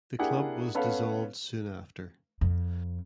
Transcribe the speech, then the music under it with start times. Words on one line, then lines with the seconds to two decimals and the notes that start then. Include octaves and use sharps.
The club was dissolved soon after.
0.19 A#3 D4 E4 G4 G#4 F#5
0.75 B3 C#4 A4 B4 C#5 F5
2.41 F2